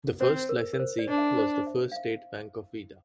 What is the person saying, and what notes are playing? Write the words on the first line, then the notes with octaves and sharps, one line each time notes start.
The first licensee was the First State Bank of Vida.
C4 C5
A#4
A#4
C5
D5
D4
E5
C5
E5
F5
E5